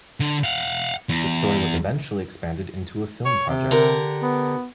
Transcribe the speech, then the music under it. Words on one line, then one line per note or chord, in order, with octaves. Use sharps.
The story was eventually expanded into a film project.
D3
F5 F#5
E2
C#5
C3
D3 G4 A#4
B3